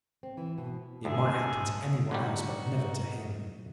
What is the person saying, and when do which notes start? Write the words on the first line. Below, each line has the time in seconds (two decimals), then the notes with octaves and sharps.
It might happen to any one else, but never to him!
0.23 C4
0.37 E3
0.58 B2
1.05 D2 G#4 A4 G#5
2.11 D3 F#3 G3 D#4 F#4